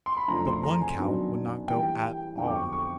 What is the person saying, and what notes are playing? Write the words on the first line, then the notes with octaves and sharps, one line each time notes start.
But one cow would not go at all!
C6
B5
F2 C#3 F3 A3 D4 A#5
C6
A#5
G#5
F#2 D#3 F#3 B3 D4
E3 G3 A#3 G5
G5
F2 D3 F#3 B3 G5
D6
C#6
C#6